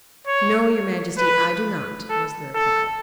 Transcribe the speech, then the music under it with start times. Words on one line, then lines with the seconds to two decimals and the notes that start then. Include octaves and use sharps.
"No, your Majesty; I do not," was the reply.
0.27 C#5
1.18 B4
2.10 A4
2.55 A4